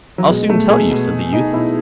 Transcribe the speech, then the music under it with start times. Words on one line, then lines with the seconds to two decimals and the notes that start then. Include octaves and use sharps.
I'll soon tell you', said the youth.
0.18 F#3
0.28 B2 G#3
0.49 B2 A3
0.70 B2 G#4
0.91 B2
1.11 B2
1.32 B2 D#4
1.53 B2 E4